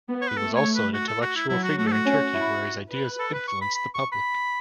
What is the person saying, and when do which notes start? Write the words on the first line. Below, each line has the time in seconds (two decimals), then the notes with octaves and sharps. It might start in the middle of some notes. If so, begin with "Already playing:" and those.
He was also an intellectual figure in Turkey where his ideas influenced the public.
0.09 B3
0.21 C#5
0.29 B4
0.36 A3 A4
0.56 C#5
0.75 B4
0.94 F#4
1.08 A4
1.21 F#4
1.36 E4
1.49 F#3 E4
1.63 F#4
1.77 A3 F#4
1.87 A4
1.92 F#4
2.06 C#4
2.34 E4
2.91 B4
3.19 A4
3.34 B4
3.48 C#6
3.61 B5
3.75 B5
3.94 C#6
4.12 B5